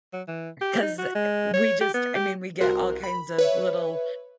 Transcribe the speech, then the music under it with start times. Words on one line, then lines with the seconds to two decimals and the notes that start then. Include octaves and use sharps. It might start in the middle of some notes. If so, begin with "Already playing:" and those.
'cause, eh, eh, we just I mean, we get all kinds of little,
0.13 F#3
0.27 E3
0.61 G4
0.82 D#4
0.99 F#4
1.15 G#3
1.53 C#5
1.81 G4
1.94 B3
2.15 G4
2.61 C2 F#4 A#4 C6 F#6
3.03 B5
3.38 B4 C#5 E5